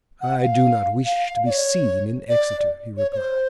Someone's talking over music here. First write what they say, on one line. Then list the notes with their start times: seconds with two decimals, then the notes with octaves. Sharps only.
"I do not wish to be seen in Exeter," he replied.
0.21 F#5
0.42 F5
1.05 F5
1.45 D5
1.50 C#5
2.29 D5
2.97 C#5
3.12 C#5
3.17 C5